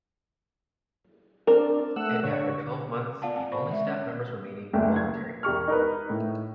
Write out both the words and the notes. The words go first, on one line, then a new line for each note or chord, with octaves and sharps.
And after twelve months, the only staff members remaining were voluntary.
C4 D4 A#4
A3 F#5 E6
D3 C#5
B3 F4 D5 F5 F#5 A5
C4 G#5 A5
C5 D5 B5 C#6
G#3 E5
C#4 C#5
F#1 D2 A3 E5 G5
G#6
E1 G4 C#6 F6
D#4 A#4 B4
A2